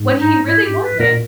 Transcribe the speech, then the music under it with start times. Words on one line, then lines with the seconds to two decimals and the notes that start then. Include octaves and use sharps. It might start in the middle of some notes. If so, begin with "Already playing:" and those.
When he really wasn't.
Already playing: G#2
0.20 D#4
0.47 E4
0.64 G4
0.82 B4
0.99 A#2 A#4